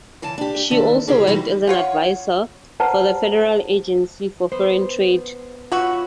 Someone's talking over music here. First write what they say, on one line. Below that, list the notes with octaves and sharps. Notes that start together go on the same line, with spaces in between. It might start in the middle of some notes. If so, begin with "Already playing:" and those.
She also worked as an advisor for the Federal Agency for Foreign Trade.
C#3 E3 G#5 A5
D4 G4
D#2 D#3 D4 E5
C#3 E4 G4 G#4 A#4 B4
E3 G3 D#4 F#4 B4
C#4 F4 C#5 F5 F#5
B4 C5 F#5 A5 A#5
B3 C5
B3 F4 F#4 C#5 E5